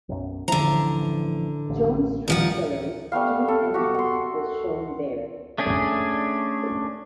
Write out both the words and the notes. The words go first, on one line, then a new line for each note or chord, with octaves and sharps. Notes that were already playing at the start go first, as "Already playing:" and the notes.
John Stringfellow's steam engine was shown there.
B1 F#2
A1 D3 E3 F3 A#5
A1
A1 G2 A#2 D#3 F3 F#5
G3 A3 B3 F5
A4
F#4 G4
F#5 C6
A3 C#4 D4 G#4